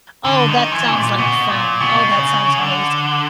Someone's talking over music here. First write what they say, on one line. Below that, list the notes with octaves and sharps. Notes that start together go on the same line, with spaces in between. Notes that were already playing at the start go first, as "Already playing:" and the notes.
Oh, that sounds like fun. Oh, that sounds amazing.
D3
D#3
E3
A#2
B2
A#2
B2
C#3
D3